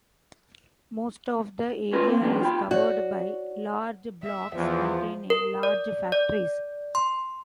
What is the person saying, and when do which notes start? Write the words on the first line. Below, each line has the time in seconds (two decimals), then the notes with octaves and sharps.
Most of the area is covered by large blocks containing large factories.
1.93 C#4 F4 A#4 B4
2.08 A#3 C4
2.21 E3 F#3 A#3 B3 C#4 D4
2.41 F4 G4 B5
2.71 F#4 C#5 D5
4.23 E5
4.56 E2 F3
5.30 A#4
5.63 D5
6.12 D5
6.95 C6